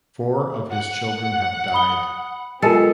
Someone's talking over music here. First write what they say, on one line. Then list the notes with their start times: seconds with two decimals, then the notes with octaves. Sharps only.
Four of his children have died.
0.70 F#5
1.74 B5 D#6 G7
2.62 G#3 B3 F4 G4 A4 A#4 C#7